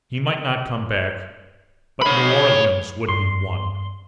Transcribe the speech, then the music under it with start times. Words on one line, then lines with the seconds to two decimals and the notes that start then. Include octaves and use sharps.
He might not come back; but New Orleans would be won.
2.02 C#5 B5
3.09 G2 C6